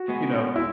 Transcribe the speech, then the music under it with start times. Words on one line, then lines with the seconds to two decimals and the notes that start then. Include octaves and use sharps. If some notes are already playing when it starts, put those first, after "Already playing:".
you know,
Already playing: F#4
0.08 B2 G#3 B3
0.56 E4